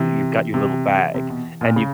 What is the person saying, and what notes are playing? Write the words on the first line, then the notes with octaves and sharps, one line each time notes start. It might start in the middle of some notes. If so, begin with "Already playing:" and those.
you've got your little bag, and you
Already playing: C3 E3
C3
C3
B2
A#2
C#3